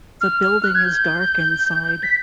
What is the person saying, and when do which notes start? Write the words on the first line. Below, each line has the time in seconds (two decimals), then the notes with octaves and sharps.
The building is dark inside.
0.21 F6
0.42 F6
0.63 F#6
0.75 G#6
0.85 G6
2.03 B6